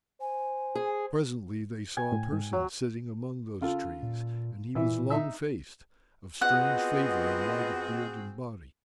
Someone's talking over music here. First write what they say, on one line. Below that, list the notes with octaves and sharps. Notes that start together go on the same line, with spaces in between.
Presently, they saw a person sitting among those trees and he was long-faced, of strange favour and white of beard and body.
C5 G#5
G#4
G#5
A2
G#2
F#3
C#3 F4 A4
A#2
A#2 E3 E4 E5
D#4 E5 E6
B3 C4 F4 F#4 G#4 D#5 F#5 F#6